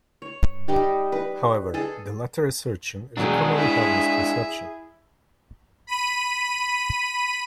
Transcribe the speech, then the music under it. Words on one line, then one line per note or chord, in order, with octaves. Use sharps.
However, the latter assertion is a commonly held misconception.
C#5
G3 D#4 G4
B4
G#4 A4
E1 F#3 G#3 D4 G#4
E4 E5 B6 D#7
B5 D#7